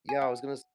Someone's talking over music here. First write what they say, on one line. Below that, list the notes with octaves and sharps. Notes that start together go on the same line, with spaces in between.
Yeah. I was gonna s
G#5
F#5